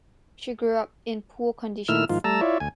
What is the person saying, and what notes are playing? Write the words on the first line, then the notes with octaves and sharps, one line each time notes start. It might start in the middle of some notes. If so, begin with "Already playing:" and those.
She grew up in poor conditions.
A#2 D#3 A3 E4 E6 F6
G#2 D#3 F3 F4
G3 A3 A5 A#5 E6
E4 F4 C#5 D5 E5
D2 G#5